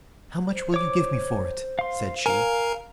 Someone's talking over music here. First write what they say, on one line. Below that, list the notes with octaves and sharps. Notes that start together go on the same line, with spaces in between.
"How much will you give me for it?" said she.
C5
C#5 D6
F5 C6
A#4 F5 G#5